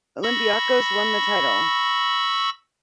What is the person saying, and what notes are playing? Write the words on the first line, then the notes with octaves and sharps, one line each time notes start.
Olympiacos won the title.
B5 C#6 E6 A#6